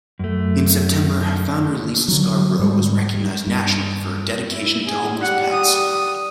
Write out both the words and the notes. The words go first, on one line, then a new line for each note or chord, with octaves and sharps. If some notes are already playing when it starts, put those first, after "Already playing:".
In September, founder Lisa Scarbrough was recognized nationally for her dedication to homeless pets.
F#2 A3
D3 F#3
G#2 G3
G3
G2
E4
G#4
G3 F#5
D#6